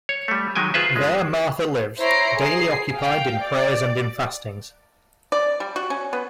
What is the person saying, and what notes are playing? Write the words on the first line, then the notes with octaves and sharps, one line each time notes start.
There Martha lived, daily occupied in prayers and in fastings.
C#5
G3 A3
D#3 F#3 G#3 G5 G#5
F4 G#4 B4 C5 E5
G1 G#3
E4 C5 C#5 A#5 C7 D7
G#4 C7
F5 G5
D5
D5
G3
F#4
C#4
B3